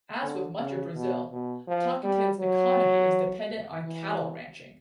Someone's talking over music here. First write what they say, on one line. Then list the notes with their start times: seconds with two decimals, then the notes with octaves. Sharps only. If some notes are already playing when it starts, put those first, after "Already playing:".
As with much of Brazil, Tocantins' economy is dependent on cattle ranching.
0.23 D3
0.59 C#3
0.95 B2
1.31 B2
1.67 F3
2.03 G3
2.40 F#3
3.85 E3